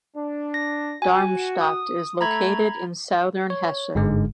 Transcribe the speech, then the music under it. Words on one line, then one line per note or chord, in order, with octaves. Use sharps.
Darmstadt is located in southern Hesse.
D4
A#6
F#4 G#5
D#6
A3 A#5 B5 G#6
C#5
G1 G#2 D3 G#3